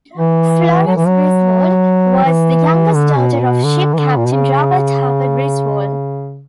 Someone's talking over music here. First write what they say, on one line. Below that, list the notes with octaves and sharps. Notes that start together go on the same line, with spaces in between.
Florence Griswold was the youngest daughter of ship captain Robert Harper Griswold.
E3
F#3
E3
F#3
E3
D3
B2
A#2
B2
D3
E3
D3
A#2
B2
C#3